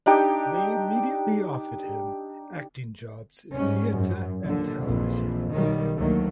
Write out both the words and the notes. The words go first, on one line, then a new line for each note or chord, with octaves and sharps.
They immediately offered him acting jobs in theater and television.
D4 D#4 G4 G5
G#2 G3 C#4
F#2
D#2 A#2 D3
A#1 F2 E3
B1 D#3 F#3 G3
D2 D#3 F#3 A3 A#3